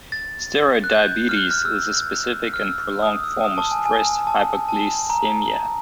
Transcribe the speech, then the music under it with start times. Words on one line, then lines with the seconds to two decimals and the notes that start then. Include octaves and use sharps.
Steroid diabetes is a specific and prolonged form of stress hyperglycemia.
0.12 A6
0.84 F#6
0.95 G6
1.29 F6
1.37 F#6
1.51 F6
1.65 E6
2.54 F6
2.62 E6
3.02 D#6
3.23 E6
3.44 D#6
3.58 A5
3.71 G#5
3.86 G#5
4.27 A5
4.68 A5
5.10 A#5